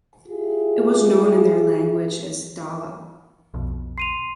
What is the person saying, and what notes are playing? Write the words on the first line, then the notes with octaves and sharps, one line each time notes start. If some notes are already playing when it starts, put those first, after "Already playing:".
It was known in their language as 'dala'.
E4 F4 G4 G#4
B1 F2 B2
C6 C7 D#7 F7